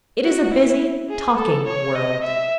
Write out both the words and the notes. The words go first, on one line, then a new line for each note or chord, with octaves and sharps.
It is a busy, talking world.
F#4
E4
G#4
A4
C#5
D#5
E5